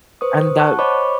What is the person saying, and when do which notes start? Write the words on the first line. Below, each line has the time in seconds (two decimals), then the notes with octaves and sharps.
And that
0.21 B4 C5 C#6 D#6
0.59 F#5 A5 C#6 F#6
0.79 C5 C#5 D#5 B5 C#6 D6